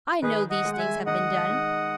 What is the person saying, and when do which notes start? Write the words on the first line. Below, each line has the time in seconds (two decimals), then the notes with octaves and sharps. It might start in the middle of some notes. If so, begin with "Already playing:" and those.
I know these things have been done.
0.22 D#3 G#4 B4
0.50 D#5 F#5
0.65 G#3
0.73 F#5
0.79 E5 G#5
1.06 D#3 D#5 F#5
1.49 D#4